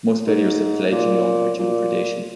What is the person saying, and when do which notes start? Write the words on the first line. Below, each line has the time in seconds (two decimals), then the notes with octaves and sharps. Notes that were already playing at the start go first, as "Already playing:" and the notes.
Most failures to fledge young are due to predation.
0.27 G#2
0.92 A#2
1.59 A#2